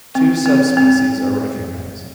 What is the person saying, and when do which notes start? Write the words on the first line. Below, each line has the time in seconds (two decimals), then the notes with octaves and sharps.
Two subspecies are recognised.
0.15 C4
0.46 C4
0.77 C4